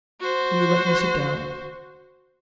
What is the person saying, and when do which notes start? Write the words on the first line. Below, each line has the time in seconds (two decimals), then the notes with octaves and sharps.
Will you let me sit down?
0.20 F#4 C5